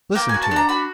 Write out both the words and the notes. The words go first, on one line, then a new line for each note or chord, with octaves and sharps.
Listen to it!
A#3 G5
G#5
F#4
A5
D4 A#5
F#4 B5